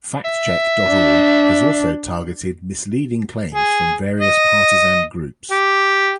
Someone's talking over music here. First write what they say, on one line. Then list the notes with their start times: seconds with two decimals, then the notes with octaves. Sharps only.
FactCheck dot org has also targeted misleading claims from various partisan groups.
0.25 E5
0.89 D4
3.55 G#4
4.20 D#5
5.51 G4